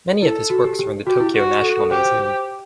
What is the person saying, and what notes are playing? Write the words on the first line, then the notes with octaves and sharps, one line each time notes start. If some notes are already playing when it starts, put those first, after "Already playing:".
Many of his works are in the Tokyo National Museum.
E4 A4
F#4
G4
G4
F#4 G4
E4
F#4 G4
A4
A4
G4 C5
C5
C5